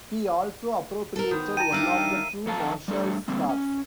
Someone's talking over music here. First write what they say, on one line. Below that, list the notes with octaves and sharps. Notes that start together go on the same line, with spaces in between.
He also appropriated one of the two Marshal's staffs.
A4 A#4
D#3 B3 C5 D#6
G5 A5 A#5 D#7
G3 D4 D#4 A#4 E5 F5
F2 A4 F5 A5 A#5
G3 A3 D4 A4
D3 G3 A#3 C4
C#4